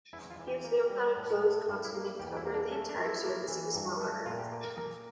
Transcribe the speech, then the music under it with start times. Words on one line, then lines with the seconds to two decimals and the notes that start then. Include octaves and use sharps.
He assumed that a closed continent covered the entire surface of a smaller Earth.
0.13 E2 E4
0.30 F4
0.39 E3
0.48 G4
0.64 A#3
0.90 G3
1.17 A2
1.42 A3
1.68 G2
1.85 E4
1.94 A#3
2.19 E2 G4
2.37 E4
2.45 A#3
2.54 D4
2.71 A3 C#4
2.89 D4
2.97 F3
3.06 E4
3.23 A#3
3.48 E3
3.75 G2
4.01 A3
4.26 A#2 F4
4.39 G4
4.52 A#3
4.64 A#4
4.78 A#3 A#4